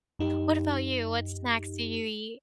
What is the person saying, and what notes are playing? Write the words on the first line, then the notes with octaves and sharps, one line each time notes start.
what about you, what snacks do you eat?
F#2 D#4 G4